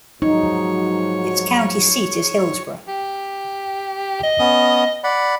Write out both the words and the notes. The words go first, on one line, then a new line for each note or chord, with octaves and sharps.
Its county seat is Hillsboro.
G#2 F3 F#3 D#4 C#5
G4
D#5
B3 C#4 D#6
D5 F#5 B5